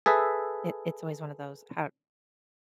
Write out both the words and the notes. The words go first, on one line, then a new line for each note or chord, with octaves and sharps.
it it's always one of those har m m
G#4 A4 B4 E5